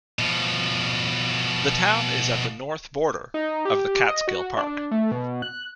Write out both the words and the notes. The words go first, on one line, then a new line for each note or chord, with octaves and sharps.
The town is at the north border of the Catskill Park.
B2 F3
D#4
G4
D#5
F#4
D4
A3
B2
F#6